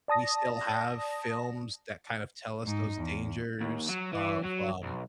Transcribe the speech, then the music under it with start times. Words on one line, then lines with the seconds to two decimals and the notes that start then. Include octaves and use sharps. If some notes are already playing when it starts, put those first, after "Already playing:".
we still have films that kind of tell us those dangers of, um,
0.08 D5 A5 D#6 A#6
2.63 G#2 D#4
2.97 E2
3.61 D#2
3.89 F#3
4.13 E3
4.43 F#3
4.83 B1